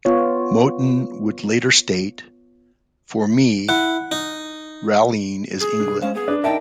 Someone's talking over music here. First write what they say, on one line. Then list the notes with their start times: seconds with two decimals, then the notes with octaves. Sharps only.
Mouton would later state: For me, rallying is England.
0.05 B3 F4 C#5
3.69 E4 F#5
4.12 D#4
5.60 G#4
5.79 C2 D4
6.02 G#3 C#4 C5 F5
6.15 B3 G#4
6.28 D4 B4
6.44 D#4 A#4 D5 E5 G5 A5